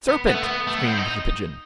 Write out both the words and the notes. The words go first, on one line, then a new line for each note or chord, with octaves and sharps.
'Serpent!' screamed the Pigeon.
B3
B3
A3
B3
A3
B3
C4
D#4